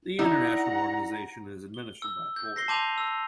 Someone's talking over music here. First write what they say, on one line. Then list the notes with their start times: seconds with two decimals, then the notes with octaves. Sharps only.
The international organization is administered by a board.
0.19 D#4 E4 D5 F#5 A#5
1.74 G7
2.02 E6
2.36 G6
2.56 A#6 C7 G7
2.68 A5 C6 D6 G6 D#7 F7
2.98 E6